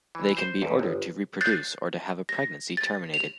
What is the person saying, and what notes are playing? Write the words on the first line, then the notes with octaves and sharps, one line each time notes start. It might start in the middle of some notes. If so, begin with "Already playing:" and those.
They can be ordered to reproduce or to have a pregnancy terminated.
E3
C5
E2
G1
F#6 G6 A6 C7
A#6
A6
F7